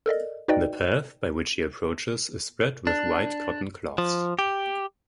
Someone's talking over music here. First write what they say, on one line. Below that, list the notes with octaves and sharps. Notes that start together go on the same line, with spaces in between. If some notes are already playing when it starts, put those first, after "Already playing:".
The path by which he approaches is spread with white cotton cloths.
A4 A#4 D5 D#5
D#4 F#4 B4 D5 D#5 G5
D4
F3
G4